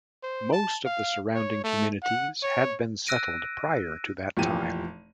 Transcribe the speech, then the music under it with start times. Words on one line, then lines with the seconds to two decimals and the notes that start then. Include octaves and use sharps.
Most of the surrounding communities had been settled prior to that time.
0.23 C5
0.53 A5
0.85 F5
1.35 C#5
1.64 A3
2.03 F#5
2.43 C#5
3.07 E6 F#6 A#6 D7 D#7
4.37 F1 A#2 E3 G4 D#7